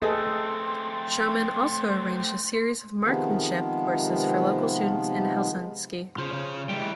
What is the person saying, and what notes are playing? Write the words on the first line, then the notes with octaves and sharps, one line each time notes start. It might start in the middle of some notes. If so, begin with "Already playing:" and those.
Schauman also arranged a series of marksmanship courses for local students in Helsinki.
A3 C4 G#4 A4 B4 D#5 C6
C3 D#3 F3 G#3 B3
C#3 F4 C5
C#3
E3 G3 G#3 G5